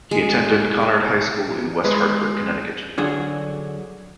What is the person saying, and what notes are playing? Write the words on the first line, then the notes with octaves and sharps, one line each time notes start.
He attended Conard High School in West Hartford, Connecticut.
G#3
G#3 B4
D3 F#3 G#4